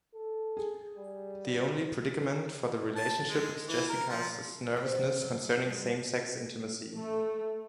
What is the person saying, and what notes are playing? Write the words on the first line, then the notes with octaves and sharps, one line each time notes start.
The only predicament for the relationship is Jessica's nervousness concerning same-sex intimacy.
A4
G#4
G3
A5
G#3
E3
A#4
F3
C4
B3
F#3
F#3
G#3
E2
A3